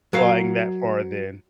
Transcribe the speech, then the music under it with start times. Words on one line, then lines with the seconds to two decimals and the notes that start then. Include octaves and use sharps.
flying that far then.
0.13 F#3 A#4 F5